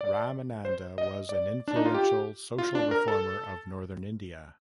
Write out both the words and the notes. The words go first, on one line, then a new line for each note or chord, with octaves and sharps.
Ramananda was an influential social reformer of Northern India.
D5
C5
D#5
D5
D4
D#4
F4
G4
F4
D4
A#4
A4